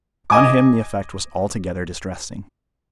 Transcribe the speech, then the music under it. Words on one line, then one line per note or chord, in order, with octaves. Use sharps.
On him the effect was altogether distressing.
D#5 G#5 D6